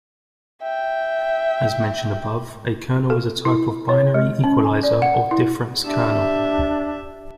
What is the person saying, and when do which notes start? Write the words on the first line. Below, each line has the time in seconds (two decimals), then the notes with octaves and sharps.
As mentioned above, a kernel is a type of binary equaliser, or difference kernel.
0.62 E5 G5
3.10 A4
3.45 E4
3.89 C#5
4.14 G#3
4.44 C#4
4.64 G#5
4.83 D5
5.02 F#5
5.31 E4
5.83 D4 G4 E5